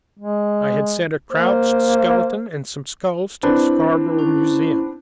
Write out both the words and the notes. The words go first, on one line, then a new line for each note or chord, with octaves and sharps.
I had sent a crouched skeleton and some skulls to the Scarborough Museum.
G#3
A#3 C5
C4 D4 E4 B4
C#4 E4